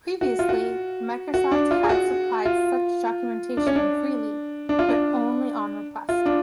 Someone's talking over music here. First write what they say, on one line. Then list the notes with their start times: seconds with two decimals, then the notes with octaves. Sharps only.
Previously, Microsoft had supplied such documentation freely but only on request.
0.21 F#4
0.39 F4
0.49 F#4
1.34 F#4
1.52 D4
1.71 F4
1.83 G#4
1.89 F#4
2.45 F4
3.57 D4
3.67 C#4
3.76 D4
4.69 D4
4.79 F4
4.89 D4
6.09 F4
6.26 D4